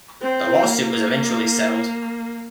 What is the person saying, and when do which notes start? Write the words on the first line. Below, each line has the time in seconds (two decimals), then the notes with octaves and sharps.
The lawsuit was eventually settled.
0.22 C4
0.62 A#3